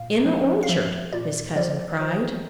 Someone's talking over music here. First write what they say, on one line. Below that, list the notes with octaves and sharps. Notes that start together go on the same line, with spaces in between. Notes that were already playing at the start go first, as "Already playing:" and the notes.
"In the orchard!" his cousin cried.
Already playing: A#2 F5
F3
F5
F3 E5
A#2 D5
F3 D5
F3